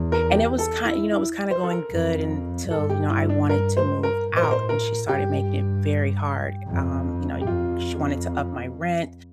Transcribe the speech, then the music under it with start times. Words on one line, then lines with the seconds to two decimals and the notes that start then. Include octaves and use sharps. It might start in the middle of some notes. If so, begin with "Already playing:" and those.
And it was ki you know, it was kinda going good until, you know, I wanted to move out, and she started making it very hard, um, you know, i she wanted to up my rent
Already playing: E2
0.12 A#4
0.32 G4
0.58 A4
0.85 E4
1.11 E4
1.51 C5
1.63 A4
1.71 A#4
1.90 F2
2.70 G2 A4
2.89 G4
3.09 E4
3.29 D4
3.49 A#4
3.77 C5
4.03 A#4
4.30 A2
4.37 C5
4.43 A#4
4.51 C5
4.69 A#4
5.08 G2 G4
6.67 F2
7.41 G4
7.47 F2 F4